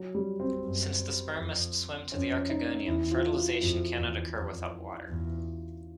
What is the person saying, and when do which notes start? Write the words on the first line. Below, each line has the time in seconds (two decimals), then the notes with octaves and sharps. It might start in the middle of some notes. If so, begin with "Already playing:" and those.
Since the sperm must swim to the archegonium, fertilisation cannot occur without water.
Already playing: F#3
0.15 G3
0.40 C4
0.64 F#2
1.38 F2
2.12 F2 C#4
2.49 D#4
2.86 E2 E4
3.11 F4
3.36 F#4
3.60 F2 F#4
3.98 E2
4.35 F2
5.09 E2